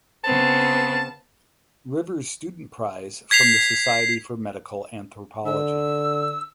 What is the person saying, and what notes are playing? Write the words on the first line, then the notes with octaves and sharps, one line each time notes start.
Rivers Student Prize from the Society for Medical Anthropology.
C#3 B3 C4 A5
G#6 B6 C7 F7
D3 E6